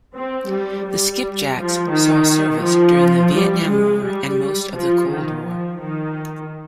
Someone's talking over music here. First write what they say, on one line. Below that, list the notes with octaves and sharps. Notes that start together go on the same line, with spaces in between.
The "Skipjack"s saw service during the Vietnam War and most of the Cold War.
C4
G3
G3
F3
D#3
F3
G3
G#3
G3
F3
D#3
F3
D#3